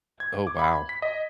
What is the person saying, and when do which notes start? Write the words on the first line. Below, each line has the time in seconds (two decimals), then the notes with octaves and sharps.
Oh, wow.
0.20 G#6
0.47 D6
0.59 B5
0.89 B6
1.02 D#5